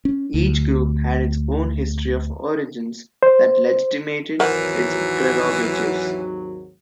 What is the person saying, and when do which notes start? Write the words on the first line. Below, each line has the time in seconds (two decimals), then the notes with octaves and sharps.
Each group had its own history of origins that legitimated its prerogatives.
0.05 C#4
0.34 D2
3.23 C5
4.40 G#1 D#2 E3 F#3 A#4 C5 F#5